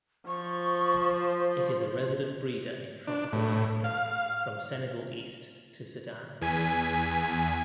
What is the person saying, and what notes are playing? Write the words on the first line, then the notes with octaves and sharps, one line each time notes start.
It is a resident breeder in tropical Africa from Senegal east to Sudan.
F3 C#6
C5
D4
A2
F5
E2 G#5 B6